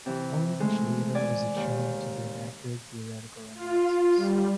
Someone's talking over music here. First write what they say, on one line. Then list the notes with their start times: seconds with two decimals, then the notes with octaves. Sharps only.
Only much later was it shown to be an accurate theoretical analysis.
0.06 C3 E3
0.60 G#3 A3
1.15 D5 G#5
1.56 D#2
3.54 F4
4.15 G3